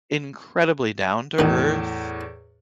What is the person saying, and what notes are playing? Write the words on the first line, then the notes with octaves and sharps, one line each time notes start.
incredibly down-to-earth,
E2 A2 D#3 D#4